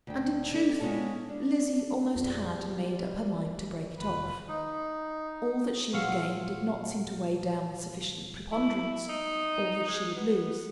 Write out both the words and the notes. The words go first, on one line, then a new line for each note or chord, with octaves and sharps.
And, in truth, Lizzie almost had made up her mind to break it off. All that she would gain did not seem to weigh down with sufficient preponderance all that she would lose.
D2 G5
D4 A4
G#3 B3 C#4 F4 A4
D4
F2 A#2 G3 F4 G#4
D#3
A3 D4
F1 D#2 F4 B4
D#4
A#2 F#3 F4 F5 E6 C#7
E4
D#4
G#3
B3